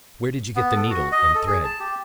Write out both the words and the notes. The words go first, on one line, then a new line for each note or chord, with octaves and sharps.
"And where did you get the needle and thread?"
B3
A4
F#4
D#5
A4
G#4
A5
G4